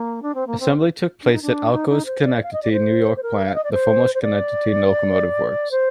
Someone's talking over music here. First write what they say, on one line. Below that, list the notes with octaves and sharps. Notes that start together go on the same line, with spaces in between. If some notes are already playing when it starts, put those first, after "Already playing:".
Assembly took place at Alco's Schenectady, New York, plant, the former Schenectady Locomotive Works.
Already playing: A#3
D4
C4
A#3
C4
D4
D#4
D4
D#4
D#4
C5
D5
F5
D#5
D5
C5
C5
A#4
F5
D#5
D5
C5
C5
D5
C5